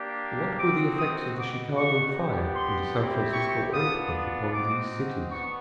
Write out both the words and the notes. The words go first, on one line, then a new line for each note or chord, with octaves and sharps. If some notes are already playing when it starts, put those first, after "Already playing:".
What were the effects of the Chicago fire and the San Francisco earthquake upon these cities?
Already playing: A#3 D4 G4
C4 D#4 F#4 D6
D#6
B3 D#4 F#4 D6
C#6
B3 D4 G4
C6
C4 E4 G4
C#6
B3 D4 F4 D#6
C4 D#4 F#4 D6
B3 D4 C#6